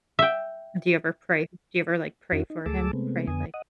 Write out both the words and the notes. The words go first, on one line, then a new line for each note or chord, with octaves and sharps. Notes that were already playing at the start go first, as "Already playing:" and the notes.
Do you ever pray do you ever, like, pray for him, pray, like,
E5 G5
F2 C#4 E4 F#4
D#4
D2 A3 G#4 A5 D6 E6
C3 G#3 A3 B3 C4
F2 D3 B3 G#5 D#6
D#5 F#5 D#6